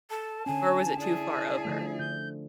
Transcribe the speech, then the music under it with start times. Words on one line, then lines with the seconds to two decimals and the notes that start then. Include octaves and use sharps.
Or was it too far over?
0.10 A4 A5
0.46 D3 C#4 G#5
0.99 E4 G#4 D5
1.65 D3 F3 A3
1.99 D3 G6